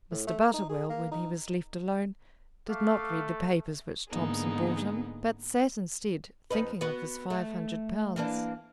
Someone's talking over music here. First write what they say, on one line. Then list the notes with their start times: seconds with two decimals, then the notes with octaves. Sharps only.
Mr. Butterwell, when he was left alone, did not read the papers which Thompson brought him; but sat, instead, thinking of his five hundred pounds.
0.11 A2
0.27 A3
0.41 A#4
0.54 D#4
0.69 G#4
0.89 A#3
1.12 D#4
2.69 A3 E5 F5 D6
4.10 G#2 D3 A#3 B3 D#4 G#4
6.50 F2 D#4 B4
6.81 B3 F#4 B4
7.30 A3
8.16 E3 A#3 D4